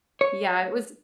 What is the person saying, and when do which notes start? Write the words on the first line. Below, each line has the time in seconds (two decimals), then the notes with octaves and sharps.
Yeah, it was
0.21 C#5